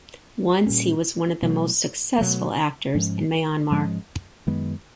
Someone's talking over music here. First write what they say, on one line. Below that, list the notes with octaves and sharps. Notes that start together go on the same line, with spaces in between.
Once he was one of the most successful actors in Myanmar.
A#2 G3 A#3 C#4
B2 F#3 A3
B2 F#3 A3
G#2 F3 G#3 C#4
G#2 F3 G#3 C#4
F#2 D#3 G#3 B3